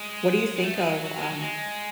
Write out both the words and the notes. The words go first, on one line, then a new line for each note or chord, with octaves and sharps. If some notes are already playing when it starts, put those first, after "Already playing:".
What do you think of, um
Already playing: G#3
G#3
A3
G#3
F#3
F#3
G#3
F#3
G#3